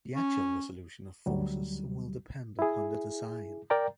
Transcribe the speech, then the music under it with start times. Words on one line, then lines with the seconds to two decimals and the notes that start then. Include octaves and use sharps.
The actual resolution of forces will depend upon the design.
0.16 C#4
1.26 D2 F#3 G3
2.59 E4 G#4
3.70 A#4 D5 G5 A#5